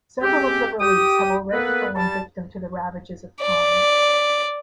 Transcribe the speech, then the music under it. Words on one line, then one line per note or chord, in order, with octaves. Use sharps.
Several of the reliefs have already fallen victim to the ravages of time.
G#3 C4 C#4 G4
G4 G5 D#6
A#3 B3 A4 B4
G3 A5
D5